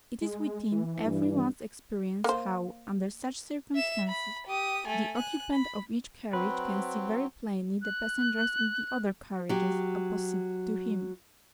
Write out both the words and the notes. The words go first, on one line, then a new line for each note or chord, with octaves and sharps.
It is within every one's experience how, under such circumstances, the occupant of each carriage can see very plainly the passengers in the other carriages opposite to him.
G#3
E3
G2
A#3 C5
E5 E7
B5
G4 D#6
A3 G#5
G#5 F#6
B5
F#3 C4 B4
F#6
F#3 G4